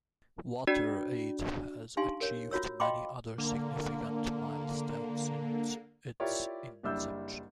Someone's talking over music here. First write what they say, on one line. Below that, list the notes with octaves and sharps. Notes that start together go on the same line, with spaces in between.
WaterAid has achieved many other significant milestones since its inception.
D4 F#4 D5
D4 D#4 G4 F5 G#5 C6
A#4 C#5
F4 F#4 C#5 E6
D#5 F5 G5 B5 C6 D6
D3 A#3
E4 F4 G4 A#4 C#5 D5
F#1 G3 D4 E4 E6 G6